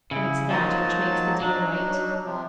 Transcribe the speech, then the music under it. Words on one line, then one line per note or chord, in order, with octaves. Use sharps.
And it's that which makes the deal right.
C#3 E4
F3 F#3 A#3 D#4 A5
F#3 D4 D#4
C3 F3